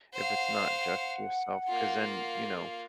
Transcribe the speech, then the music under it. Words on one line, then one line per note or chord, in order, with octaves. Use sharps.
If it's not just yourself, 'cause then, you know,
C5 F5 F#5
A#3 F4